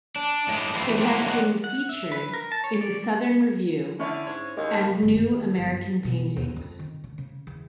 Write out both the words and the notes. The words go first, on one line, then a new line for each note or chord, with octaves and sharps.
It has been featured in "The Southern Review" and "New American Paintings".
D4
A2 G#3 D4
F2 E3 A3 C4 E4
F#3 A3 A#3 C4 D4 E4
D3 G3 G#3 C#5 D#5 F#5
F#5
E5
B4
A#4
A5
C#5
D5
D3 C#4 E4
G#2 C#5
D#2 G#3 A#3
A5
G1
D#3
G1
G3
B2
D#2
F2
D#3
D3
C#3
E2